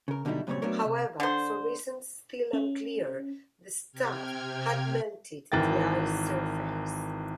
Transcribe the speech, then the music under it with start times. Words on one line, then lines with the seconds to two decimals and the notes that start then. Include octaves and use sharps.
However, for reasons still unclear, the staff had melted the ice surface.
0.08 C#3 A#4
0.25 B2 D3 F#3 G3 D#4 E4
0.47 F#2 A#2 C#3 G3 C4 C#5
0.62 F#3 A3 B3 D4 A#4 C#5
0.85 C3
1.20 D3 C5
2.53 C#4
3.92 C3 G5 F6 G#6
5.52 G#1 E3 A#4 G5 A6